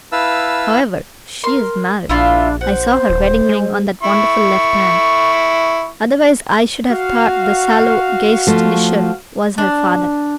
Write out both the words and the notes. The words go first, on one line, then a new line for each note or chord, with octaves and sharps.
However, she is married; I saw her wedding-ring on that wonderful left hand, otherwise I should have thought the sallow Geistlicher was her father.
E4 B4 F5 A5 E6
A#4 C6
A#1 D4 E4 F4 E5
C5 F#5
D#1
G#3
E4 C#6
F#4 F5
F3 A3
D4